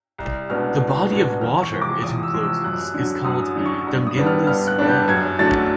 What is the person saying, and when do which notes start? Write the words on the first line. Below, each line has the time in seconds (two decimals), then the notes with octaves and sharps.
The body of water it encloses is called Dungeness Bay.
0.18 C2
0.50 B2 G#3 B3 D4 F6
0.80 C2
1.10 B2 G#3 B3 D4
1.41 E2 F6
1.62 C#6
1.72 C3 F3 G#3
1.82 D6
2.02 E2 D#6
2.23 E6
2.33 C3 F3 G#3
2.43 E6
2.64 F#2 F#6
2.94 D3 F#3
3.25 F#2 D#6
3.56 D3 F#3
3.66 C#6
3.87 G2
4.07 D#6
4.16 D3 G3 B3 D4
4.27 F6
4.47 G2 F6
4.67 F#6
4.79 D3 G3 B3 D4
4.89 G6
5.08 F#2 G#6
5.39 D3 F#3 A3 D4 A6